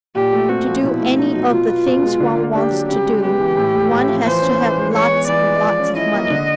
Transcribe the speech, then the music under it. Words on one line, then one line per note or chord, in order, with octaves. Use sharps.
"To do any of the things one wants to do, one has to have lots and lots of money."
A#2 G4
A3
C4 F#4
F3
B2 E4
A3
B2 D#4
F#3
B2 F4
B3
B2
G#3
D3
A#3
D4 G4
F#3
C#3 G4
G#3
B3 G4
E3
A2
A3
A2
F3
E3 C5
C#4
E3
G#3
E3 C#5
B3
E3 D5
G#3
F3
C#4
E4 D#5
A#3
D3